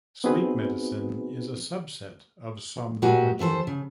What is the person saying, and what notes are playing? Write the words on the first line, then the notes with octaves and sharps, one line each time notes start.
Sleep medicine is a subset of somnology.
B3 C4 D#4 F#4 G#4 B4
A#2 G#3 F#4 G4 G#5
D#2 E3 A4 C5
C#3